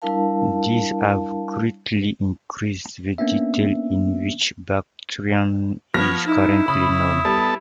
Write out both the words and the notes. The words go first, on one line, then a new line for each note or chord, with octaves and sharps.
These have greatly increased the detail in which Bactrian is currently known.
G3 D4 E4 A#4 F5 A5
A#3 B3 C#4 D4 E5
F3 B3 C#5 F6 A#6
D#4 E4
C#3 B5 D#6
G3 B3 A4 A5